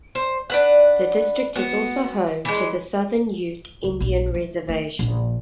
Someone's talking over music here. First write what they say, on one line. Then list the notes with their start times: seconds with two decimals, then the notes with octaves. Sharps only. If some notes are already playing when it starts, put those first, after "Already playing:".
The district is also home to the Southern Ute Indian Reservation.
0.15 C5
0.50 D4 B4 F#5
1.55 B3 F#4
2.45 E3 G#3
3.84 C#2
4.00 A#1
4.34 A3
4.69 A3
4.99 A#1